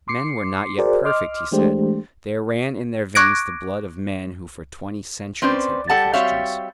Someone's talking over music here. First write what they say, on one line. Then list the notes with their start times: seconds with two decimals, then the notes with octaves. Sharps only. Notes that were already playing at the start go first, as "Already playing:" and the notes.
Men were not yet perfect, he said; there ran in their veins the blood of men who for twenty centuries had been Christians....
0.08 C6 D6 C7 C#7
0.78 F#4 G#4 A#4 C5 D5
1.04 D#5 C6 D6 F6
1.52 E3 G#3 A3 D4 G4 C5
3.15 C#6 D6 F#6 G#6 A#6 D7
5.42 C4 C#4 B4 C5 D5
5.89 G3 A4 F#5 A5
6.13 G3 C4 F#4 C#5 E5 F5